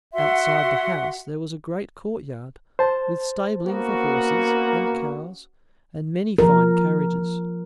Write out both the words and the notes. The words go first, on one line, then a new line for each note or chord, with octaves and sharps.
Outside the house there was a great courtyard, with stabling for horses, and cows, and many fine carriages.
F#4 E5 F#5 C6
C5 A5
A#3 B3 C#4 F#4
F3 A#4